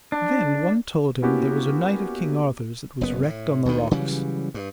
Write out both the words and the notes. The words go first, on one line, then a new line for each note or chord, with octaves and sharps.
Then one told him there was a knight of King Arthur's that was wrecked on the rocks.
D4
A#3 B3 C#4 E4 F#4 G4
F#1 B3
A2
D2 D#3
C#3 E3 F#3 G3
G2